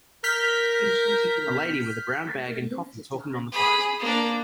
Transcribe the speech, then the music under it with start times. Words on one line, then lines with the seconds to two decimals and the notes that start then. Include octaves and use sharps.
A lady with a brown bag and coffee talking on the phone.
0.24 A#4 F6 G6 B6
3.52 G#4 B5
4.00 A#3 D4